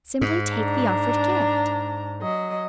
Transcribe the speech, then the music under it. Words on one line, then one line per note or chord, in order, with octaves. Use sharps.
"Simply take the offered gift."
G#2
D4 A#5
F#3 D#5